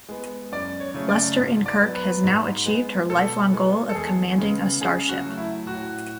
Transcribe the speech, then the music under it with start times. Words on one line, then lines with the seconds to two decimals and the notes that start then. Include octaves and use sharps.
Lester-in-Kirk has now achieved her lifelong goal of commanding a starship.
0.09 G#3 B3
0.52 F#2 D5
0.80 C#5
0.94 C#3 F#3 A3
1.09 D5
1.38 G#2
1.66 D5
1.81 F#3 B3
1.95 B4
2.24 G#2
2.66 G#3 B3
3.10 B2 A4
3.52 G#3 B3
3.89 A4
3.95 E2 G#4
4.38 C#3 G#3 B3
4.80 C#3 G#4
5.09 F#4
5.24 F#3 A3
5.37 E4
5.66 A2 F#4